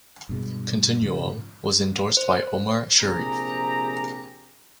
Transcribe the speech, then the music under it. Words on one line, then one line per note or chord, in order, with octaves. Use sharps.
Continuo was endorsed by Omar Sharif.
G2 B2 G#3
G#2 C#3 F3
C5
A#1 C3 G4 G#4 A#5